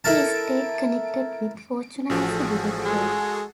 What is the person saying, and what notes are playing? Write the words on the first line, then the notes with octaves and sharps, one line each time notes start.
He stayed connected with Fortuna as a director.
E4 A4 A#4 A5
A1 F3 F#4 G#4 A4
G#3